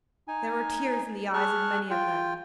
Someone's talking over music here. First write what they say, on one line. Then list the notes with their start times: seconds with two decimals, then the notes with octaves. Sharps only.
There were tears in the eyes of many of them.
0.28 D#4 G#5
1.33 G#4 A5 C#6 F6 F#6
1.90 F4 G5